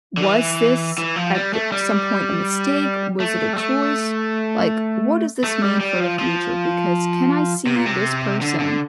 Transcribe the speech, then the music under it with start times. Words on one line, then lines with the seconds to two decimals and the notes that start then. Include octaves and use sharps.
"was this at th some point, a mistake? Was it a choice?" Like, what does this mean for the future? Because, can I see this person
0.17 D3
0.22 E3
0.98 E3
1.16 F3
1.34 G3
1.53 A3
1.72 G3
3.20 A3
3.53 G3
3.58 A3
5.44 A3
5.62 G3
5.81 G3
6.00 F3
6.19 F3
7.66 C3
7.76 A#2
7.86 C3
8.41 D3
8.60 D3